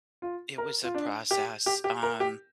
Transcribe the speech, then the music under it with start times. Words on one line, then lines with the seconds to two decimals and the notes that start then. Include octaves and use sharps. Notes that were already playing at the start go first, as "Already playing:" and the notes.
It was a process, um
0.22 F4
0.58 A#4
0.84 F4
0.95 D4
1.31 G4
1.66 G4
1.84 G4
2.03 A#4
2.20 G4